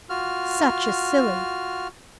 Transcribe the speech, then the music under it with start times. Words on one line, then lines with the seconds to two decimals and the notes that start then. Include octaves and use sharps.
Such a silly!
0.10 F4 F#4 F6